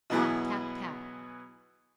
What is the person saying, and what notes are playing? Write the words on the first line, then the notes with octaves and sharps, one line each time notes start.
Rap! tap! tap!
B2 E3 F#3 B3 E4 G#4